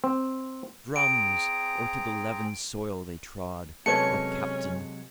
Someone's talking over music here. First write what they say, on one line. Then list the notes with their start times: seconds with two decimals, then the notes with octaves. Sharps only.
Drums! or To the Leaven'd Soil they Trod, Or Captain!
0.04 C4
0.96 C4 G#4 A#5 D7
3.86 C3 F#3 G#3 C#4 A4 B4 C#5 C#7